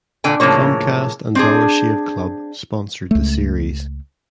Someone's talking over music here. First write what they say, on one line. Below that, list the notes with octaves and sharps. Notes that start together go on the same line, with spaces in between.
Comcast and Dollar Shave Club sponsored the series.
A#2 D3 G5 G#5
A2 C#3 F3 A#3 C#5
C4 D4 G#4
C#2 A3